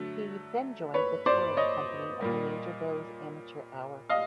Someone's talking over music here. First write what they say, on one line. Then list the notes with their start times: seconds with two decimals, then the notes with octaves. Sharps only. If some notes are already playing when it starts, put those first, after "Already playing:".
He then joined the touring company of the "Major Bowes Amateur Hour".
Already playing: D3 F#3 A3
0.94 B4 C#5
1.26 C5 D5
1.57 C#5 D#5
2.21 A#2 G3 A#3
4.09 D#5 F5